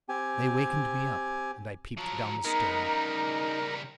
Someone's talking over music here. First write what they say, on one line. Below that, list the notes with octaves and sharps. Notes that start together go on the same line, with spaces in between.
They wakened me up and I peeped down the stair.
C4 G4 G#5
F3 F#3 A#5
G#3 B3 D#4 A#4
C#3 G3